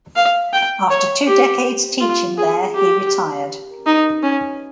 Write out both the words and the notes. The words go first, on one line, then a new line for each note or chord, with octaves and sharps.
After two decades teaching there, he retired.
F5
G5
C#5
G4
F4
G#4
G4
D#4
C#4